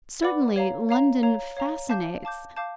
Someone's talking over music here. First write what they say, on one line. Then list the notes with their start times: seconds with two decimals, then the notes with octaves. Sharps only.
Certainly London fascinates.
0.23 B4 D5 F#5 B5 D6
0.56 C#5 F5 A#5
0.89 C#5 F5 A#5
1.23 C#5 F5 A#5
1.57 C#5 F5 A#5
1.89 F5 A5 D6 G6
2.23 F5 A5 D6 G6
2.56 F5 A5 D6 G6